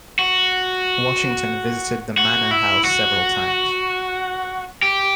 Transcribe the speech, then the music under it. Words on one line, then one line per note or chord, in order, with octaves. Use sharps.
Washington visited the Manor House several times.
F#4
F#4
E4
F#4
G4